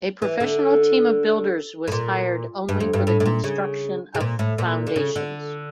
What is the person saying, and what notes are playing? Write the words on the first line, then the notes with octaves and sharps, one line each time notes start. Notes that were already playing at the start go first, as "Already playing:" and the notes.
A professional team of builders was hired only for the construction of foundations.
E3
D3
A2
A#2
G2
F2
G2
A2
A2
A#2
C#3
C#3
A#2
A2
A#2
D3
C#3
D3